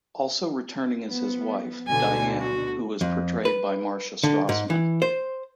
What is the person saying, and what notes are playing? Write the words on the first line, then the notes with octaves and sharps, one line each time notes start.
Also returning is his wife, Diane, who is portrayed by Marcia Strassman.
F3 B3
D2 B2 D3 G#5
F#4
F2
B4
D3
G#2
E3
C5